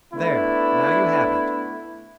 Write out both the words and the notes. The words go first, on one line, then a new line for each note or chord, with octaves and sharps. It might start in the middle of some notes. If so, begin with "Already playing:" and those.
There! now you have it.
A3 B3 D4 E4